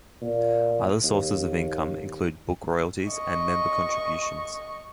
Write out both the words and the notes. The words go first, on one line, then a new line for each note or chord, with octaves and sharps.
Other sources of income include book royalties and member contributions.
A#2
D#2
D#5 C#6